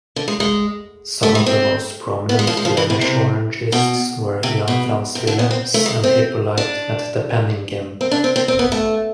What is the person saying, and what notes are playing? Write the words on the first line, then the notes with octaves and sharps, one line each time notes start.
Some of the most prominent Flemish Orangists were Jan Frans Willems and Hippolyte Metdepenningen.
D3
G#3
G#3
A3
G#3
C4
B3
G#3
F3
G#3
F3
E3
C3
C3
B2
C3
B2
C3
D3
B3
C4
A3
G#3
C4
D4
C4
D4
C4
C4
C4
B3
A3